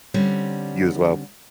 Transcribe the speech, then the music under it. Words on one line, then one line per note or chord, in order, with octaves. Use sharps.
You as well.
D3 G3 C4 C#4